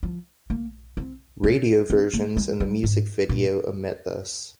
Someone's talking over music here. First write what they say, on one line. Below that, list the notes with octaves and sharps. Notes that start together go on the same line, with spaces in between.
Radio versions, and the music video, omit this.
F3
A#3
C4
C#4
C4
A#3
G#3
G3
G#2
A#2